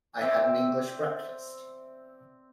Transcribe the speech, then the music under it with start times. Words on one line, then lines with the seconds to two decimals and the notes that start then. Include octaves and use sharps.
I had an English breakfast.
0.21 C4 D5 E5